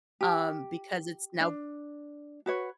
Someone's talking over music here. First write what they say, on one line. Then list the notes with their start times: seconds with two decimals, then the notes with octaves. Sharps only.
um, because it's now
0.21 G4
1.40 D4
2.46 F#4 B4 C#5